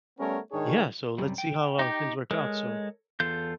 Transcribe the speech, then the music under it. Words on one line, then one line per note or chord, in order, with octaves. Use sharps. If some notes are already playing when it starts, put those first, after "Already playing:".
Yeah, so let's see how our things work out, so
G3 A3 B3 C#4 A#4 C#5
G#2 D#3 D4 G#4 C#5
F#2 C3 G3
G5
D#4 G4
G#3 A4 A#4 C#5
E2 F4 A4 G6